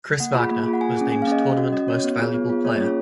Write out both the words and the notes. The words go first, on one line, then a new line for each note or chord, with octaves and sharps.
Chris Wagner was named Tournament Most Valuable Player.
A#3 F#5
F4 G#4 B5
A#3
F4 G#4
F#5
A#3 G#5
C#4 G#4
A#3 G#5
F5
C#4 G#4 D#5
C#4
F#4
C#4 D#5
F#4 C#5
B3
F4 G#4
B3
F4 G#4
A#3 C#5
C#4 F4 G#4